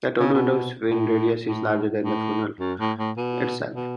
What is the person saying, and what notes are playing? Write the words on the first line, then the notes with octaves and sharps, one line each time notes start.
The tornado's wind radius is larger than the funnel itself.
C#3
B2
A2
A2
A2
F#2
A2
A2
B2
B2